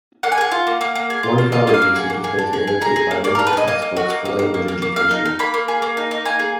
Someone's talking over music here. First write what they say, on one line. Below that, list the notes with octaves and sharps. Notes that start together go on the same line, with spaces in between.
One common usage has been to annotate bilingual textbooks for language education.
A#3 F#5
G#5
G#4 F#5
F4
A#3
A#3
A#3
G#4
F4
A#3
F4 D#5
A#3 D#5
F5
A#3
G#4 F#5
A#3
G#4
D4
G#4
G#4
G#4 A#5
G#4
A#3
A#3 D5
A#4
D4
B4
G#4 D#5
A#3 D#5
A#3
F#4
A#3
A#3
A#3
A#3
A#3
A#3
A#3 F5
D#4
D#4
A#3 B5
A#3
G#4
A#3
D#4
D#4
A#3 G#5
G#4